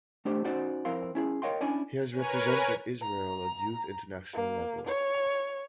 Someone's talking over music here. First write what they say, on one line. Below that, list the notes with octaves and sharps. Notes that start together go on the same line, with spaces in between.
He has represented Israel at youth international level.
A3 D4 G4 C5
C#4 D#4 F#4 C5 D5
F2 C4 E4 A#4 F5 C6
C#4 E4 G#4
A#4 C#5 D#5 F5 G5 C6
C#4 D4 E4 D5 G#5
A#4 B4 C#5 G#5
A#5
A#3
C#5